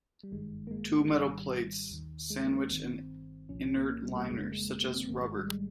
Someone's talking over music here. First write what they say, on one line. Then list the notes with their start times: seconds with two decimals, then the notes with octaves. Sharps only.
Two metal plates sandwich an inert liner, such as rubber.
0.23 G3
0.31 G#1 G2 D#3 G#3
0.67 A#3
0.71 G#3
0.99 G#3
1.11 G#1 G#2 D#3 G3
1.91 D#2 D#3
2.30 G#3
2.44 A#3
2.57 C4
2.71 G1 G2 D#3
3.49 C2 A#2 F3 C#4
3.63 C#4
3.76 A#3
3.89 A#3
4.03 G3
4.15 A#3
4.29 G1 F2 C#3 G#3
4.40 A#3
4.52 G#3
4.69 G#3
4.82 A#3
4.95 C4
5.08 G#1 G#2 D#3 A#3
5.21 G#3
5.35 G3
5.48 G#3